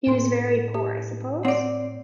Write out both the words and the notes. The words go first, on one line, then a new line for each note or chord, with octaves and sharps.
He was very poor, I suppose?
A2 B3 C6
G4
C4 C#5 D5 F#5